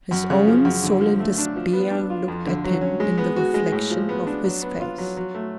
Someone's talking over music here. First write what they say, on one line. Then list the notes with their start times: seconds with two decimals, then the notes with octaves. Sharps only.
His own sullen despair looked at him in the reflection of his face.
0.11 F#2
0.30 C#3
0.47 F3
0.65 F#2
0.84 D3
1.01 F3
1.19 A3
1.38 D4
1.56 F3
1.73 B3
1.91 D4
2.10 F4
2.28 F2
2.46 D3
2.64 F#3
2.81 C#4
3.00 G#3
3.18 B3
3.36 F#4
3.54 G#3
3.72 A2
3.91 F3
4.09 B3
4.27 D4
4.44 F#3
4.62 B3
4.80 F4
4.98 F#3
5.17 F#3
5.34 A3